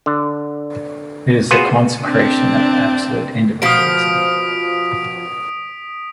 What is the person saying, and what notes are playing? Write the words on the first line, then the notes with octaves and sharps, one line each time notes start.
It is the consecration of absolute individualism.
D3
B3 F4 F#4 G#4 B4 C5
C4 D4
B2 F3 D#6 B6 D7